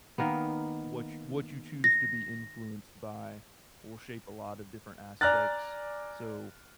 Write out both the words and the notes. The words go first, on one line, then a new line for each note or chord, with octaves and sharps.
what ch what you choose to be influenced by will shape a lot of different aspects. So,
D#3 A#3 B3
A#6
D5 G#5 A#5 F6 F#6 A6